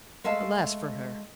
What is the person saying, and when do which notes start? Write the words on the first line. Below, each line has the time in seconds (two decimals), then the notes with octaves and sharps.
Alas for her!
0.24 G#3 A3 E5 F5 A5